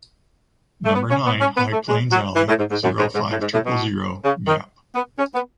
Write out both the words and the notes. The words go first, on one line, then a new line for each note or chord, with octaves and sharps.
Number nine, High Plains alley, zero-five triple zero, Gap.
A3
B3
C#4
B3
C#4
B3
A3
G#3
F#3
E3
A2
G#2
G#2
F#2
G#2
G#2
A2
G#2
A2
B2
C#3
D#3
B3
C#4
B3